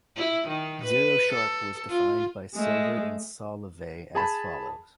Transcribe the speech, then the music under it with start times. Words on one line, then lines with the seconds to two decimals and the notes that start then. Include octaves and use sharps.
Zero sharp was defined by Silver and Solovay as follows.
0.16 E4
0.48 D#3
0.84 B4
1.32 A4
1.90 F4
2.55 G#3 A3
4.15 G#4 A5 B5